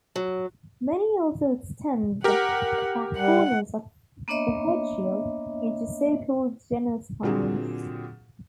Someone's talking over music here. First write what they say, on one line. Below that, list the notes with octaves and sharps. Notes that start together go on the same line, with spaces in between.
Many also extend the backcorners of the headshield into so-called genal spines.
F#3
G4 A#4 F#5
G3 F#5
A#3 B3 D4 C#5 D#5 E5
A#2 D3 F#3 C4 G4 G#4